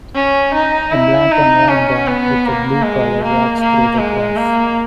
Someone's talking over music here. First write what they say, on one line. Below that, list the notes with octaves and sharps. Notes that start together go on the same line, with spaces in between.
A black and white dog with a blue collar walks through the grass.
C#4
D#4
E4
D#4
C#4
B3
A#3
G#3
A#3
A#3
G#3
A#3